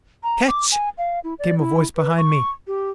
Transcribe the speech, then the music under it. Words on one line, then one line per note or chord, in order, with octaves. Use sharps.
"Catch!" came a voice behind me.
A#5
D6
G#5
F5
E4
D5
E4
B4
C#6
G4